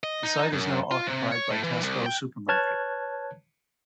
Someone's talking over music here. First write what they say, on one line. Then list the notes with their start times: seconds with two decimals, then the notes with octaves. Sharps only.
The site is now occupied by Tesco supermarket.
0.04 D#5
0.23 D#4
0.53 F#2
0.91 F4
1.07 C3
1.32 C#5
1.50 A2
1.63 E3
1.83 C2
2.06 G5
2.48 B4 C#5 A5 F6 F#6 G#6